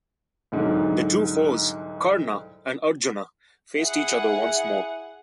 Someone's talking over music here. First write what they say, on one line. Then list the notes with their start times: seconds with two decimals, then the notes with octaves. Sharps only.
The two foes, Karna and Arjuna faced each other once more.
0.52 C2 G#2 D3 F#3
3.79 E4 G#4 F#5